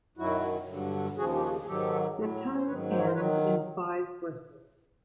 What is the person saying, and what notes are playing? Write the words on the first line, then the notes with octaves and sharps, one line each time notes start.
The tongue ends in five bristles.
F#2 D#3 F#3 E4 F#4
G2 D3 F#3
D#2 C#3 F3 F#4 G#4
G4
F#4 G#4
G#4
G#2 D#3 F#3 G4 A4
A2 F#3
C5
G#2 D#3 F#3 B4 C#5
C5
C#5
A#4 C5
D#3 F#3 B4 C#5